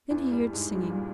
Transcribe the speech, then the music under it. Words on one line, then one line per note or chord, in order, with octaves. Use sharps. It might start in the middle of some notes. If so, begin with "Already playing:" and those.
Then he heard singing.
E2 E3
G2 G3
G#2 G#3
G2 G3
A#2